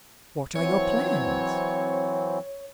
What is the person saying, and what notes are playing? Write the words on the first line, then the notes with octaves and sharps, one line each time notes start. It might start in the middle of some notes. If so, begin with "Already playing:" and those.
What are your plans?
E3 F#3 C4 C#5